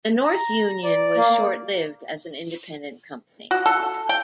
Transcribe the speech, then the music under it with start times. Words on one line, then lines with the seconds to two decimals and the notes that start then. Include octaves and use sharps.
The North Union was short-lived as an independent company.
0.25 A#5
0.84 D5
1.16 A#3
3.51 F#4
3.66 A4
4.09 G5